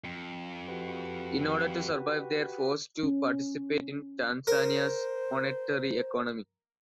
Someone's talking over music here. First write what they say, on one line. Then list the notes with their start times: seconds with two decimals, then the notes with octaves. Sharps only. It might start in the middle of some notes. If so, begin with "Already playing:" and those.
In order to survive they are forced to participate in Tanzania's monetary economy.
0.04 F2
0.68 F#4 G4 B4
3.03 C#4
4.47 A#4 C5